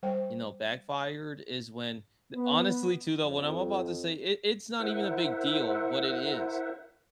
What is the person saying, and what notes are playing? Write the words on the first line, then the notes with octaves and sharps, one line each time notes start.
you know, backfired is when, eh honestly too, though, what I'm about to say, it it's not even a big deal what it is,
G3 C5 G5
B3
F2
E4 A#4 C5 E5 F#5